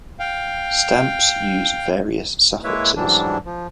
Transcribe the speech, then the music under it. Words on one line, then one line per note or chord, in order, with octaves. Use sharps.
Stamps use various suffixes.
F5 G5
G#3 A#3 E4 B4 C#5 E5
G#2 E3 F#3 G3 D4
F3